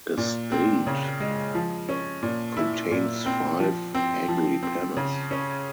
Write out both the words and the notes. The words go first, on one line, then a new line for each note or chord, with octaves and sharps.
A stade contains five agripennes.
A#2
C4
C#3
G#3
F3
C#4
A#2
E4
A#2
C4
F3
C4
F3
C4
C#3
C#4